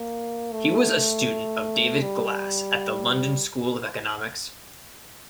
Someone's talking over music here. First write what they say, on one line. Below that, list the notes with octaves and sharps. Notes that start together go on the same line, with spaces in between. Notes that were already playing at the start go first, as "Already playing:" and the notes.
He was a student of David Glass at the London School of Economics.
Already playing: A#3
A3
G3